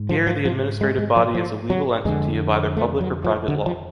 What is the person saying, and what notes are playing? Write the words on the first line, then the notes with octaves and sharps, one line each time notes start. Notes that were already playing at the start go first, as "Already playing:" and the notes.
Here the administrative body is a legal entity of either public or private law.
Already playing: G#2
F3
F3
F3
G#3
G#3
F3
F3
F#3
F2 D3 G#3
A3
F#3
F3
D3
F3